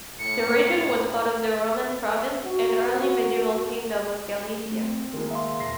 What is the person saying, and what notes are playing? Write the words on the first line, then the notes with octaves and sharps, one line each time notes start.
The region was part of the Roman Province and early medieval Kingdom of Gallaecia.
A2 C#7
F#4
F#4
A3
C4
D#3 G#3 A#3 A#4
E5 F5 C6
E1 A#6 C7